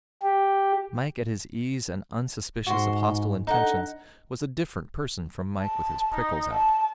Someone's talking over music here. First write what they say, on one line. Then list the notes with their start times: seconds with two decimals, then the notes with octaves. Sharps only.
Mike at his ease and unsuspicious of hostile intentions was a different person from Mike with his prickles out.
0.22 G4
2.67 G#2 F#4 C6
3.47 D3 D#4 F#5
5.61 A5
6.14 D#4
6.52 A5